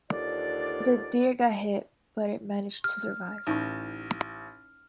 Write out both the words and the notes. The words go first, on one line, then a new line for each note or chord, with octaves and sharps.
The deer got hit, but it managed to survive.
D#2 D3 F3 F4 D5
F6
A1 D#4 C#6